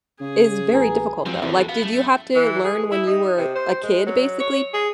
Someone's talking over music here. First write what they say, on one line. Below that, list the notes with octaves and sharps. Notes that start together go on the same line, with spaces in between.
is very difficult, though. Like, did you have to learn when you were a kid, basically,
C#3 G#4
A1 B4 G#5 A#5
F2 F3 F#3 C4 C#4
E2 C3 D#3 E3
F#4 A4
B3 F5
F#2 A3
E3
G#4
E4
D#4
C3
C5
G#3
F#3
C#5
G#4